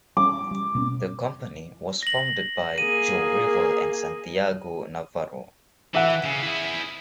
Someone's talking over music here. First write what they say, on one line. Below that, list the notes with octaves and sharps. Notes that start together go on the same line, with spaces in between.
The company was founded by Joe Revell and Santiago Navarro.
G3 A#3 C#4 D6
G3
B2 A#3 C#4
A#6 F#7
A#3 G#4 D#7
E3 E5 F#5
C#3
E4 G#4